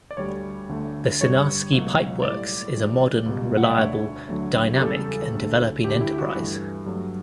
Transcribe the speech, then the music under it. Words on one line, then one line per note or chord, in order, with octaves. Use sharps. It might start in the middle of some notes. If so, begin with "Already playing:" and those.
The Sinarsky Pipe Works is a modern, reliable, dynamic and developing enterprise.
D5
D2 D3 G3 C#5
D2 D3 A3
G2 D3 G3 C#5
C#2 B2 F#3 A3
A2 G3 D5
A2 E3 G3
C#2 B2 G3
F#5
E5
D5
D2 D3 A3 C#5
D2 D3 F#3 A3
G4
E2 C#3 G3 A4
D2 D3 A3
D2 D3 A3 G4
E4
F#4
G2 E3 A3
G2 F#3 A3